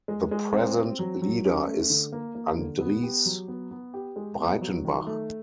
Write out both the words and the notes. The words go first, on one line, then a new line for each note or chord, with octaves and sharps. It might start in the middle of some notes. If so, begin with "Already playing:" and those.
The present leader is Andries Breytenbach.
G#3
G#3
C4
C4
F#3
F#3
C#4
A3
D3
A#3
A#3
D3
B3
G4
F#3
B3
B3
G4
G#3
B3
F#3
D#3
A3